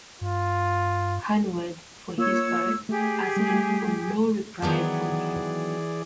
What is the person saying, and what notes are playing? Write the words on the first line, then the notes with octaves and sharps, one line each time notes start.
Hanaud, for his part, asked for no reply from him.
G2 F4
A#3 F4 C#5 E6
A3 G4 G#4
G3 A3
D#3 E3 F#3 B3 G#4 D5